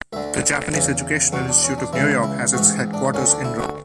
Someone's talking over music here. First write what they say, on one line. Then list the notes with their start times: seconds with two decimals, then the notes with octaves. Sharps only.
The Japanese Educational Institute of New York has its headquarters in Rye.
0.13 D2 D3 E5
0.73 E2 C#3 E3
1.33 E2 B2 F#4
1.49 D4
1.64 C#4
1.78 D4
1.93 C#2 C#3 E3 E4
2.23 E4
2.54 A1 G#2 E3 F#4
2.93 D4
3.14 D2 D3 C#4
3.29 D4
3.44 E4
3.59 F#4